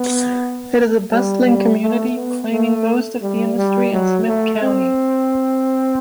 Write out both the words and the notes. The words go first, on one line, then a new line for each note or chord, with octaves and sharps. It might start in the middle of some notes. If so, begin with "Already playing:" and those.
It is a bustling community, claiming most of the industry in Smith County.
Already playing: B3
G3
G3
A3
B3
A3
G3
G3
F#3
A3
C4